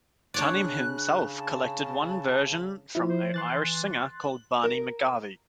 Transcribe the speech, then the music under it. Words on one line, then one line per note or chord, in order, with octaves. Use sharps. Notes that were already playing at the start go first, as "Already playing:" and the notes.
Tunney himself collected one version from an Irish singer called Barney McGarvey.
C#3 D4 C#5 D5 F#6
A5
F3 E4
C5
E3 C6 F#6 A6
A#4